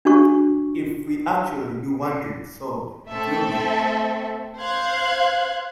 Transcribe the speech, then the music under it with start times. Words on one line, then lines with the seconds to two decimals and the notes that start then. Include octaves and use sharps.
If we actually do want it solved, it will be.
0.05 D4 F#4 C#6
3.10 A3 C4 A4 E5
4.58 C5 F5 F#6 G#6